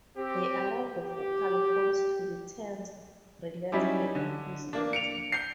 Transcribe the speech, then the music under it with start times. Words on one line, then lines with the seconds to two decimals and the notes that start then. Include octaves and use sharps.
They allow the vocal folds to be tensed, relaxed, or approximated.
0.17 C4 G4
1.01 G4
3.72 F#3 G3 C#4 D#4 E4 G4
4.15 D3
4.73 A#3 D4
4.93 C#7 D7 F7
5.32 G6 C7